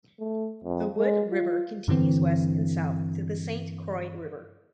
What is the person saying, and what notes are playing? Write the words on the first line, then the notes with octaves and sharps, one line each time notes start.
The Wood River continues west and south to the Saint Croix River.
A3
F2
G#3
F4
G2 D3 E3 C4